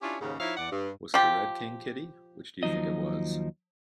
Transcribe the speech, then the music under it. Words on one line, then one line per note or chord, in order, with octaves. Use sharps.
Was it the Red King, Kitty? Which do you think it was?
C#4 D4 E4 F4 G4 C#5
D#2 G#2 C#3
F3 D#4 E4 C#5 E5 F5
E2 D5 F#5
G2
F3 G4
D#2 F3 F#3 D#4 D#5